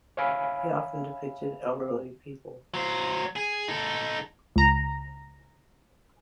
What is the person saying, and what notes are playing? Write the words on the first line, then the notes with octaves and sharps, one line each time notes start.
He often depicted elderly people.
C#5 E5 F5 G#5 B5
F#3 C5
G#4
D#4 A4
C#2 A#5